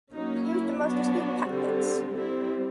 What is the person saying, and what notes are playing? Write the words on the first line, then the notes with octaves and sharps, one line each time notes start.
He used the most astute tactics.
F#3 A#3 C#4 D#4
E4
F#3 B3 D4 F#4
D3 G3 C4
G3 C4 E4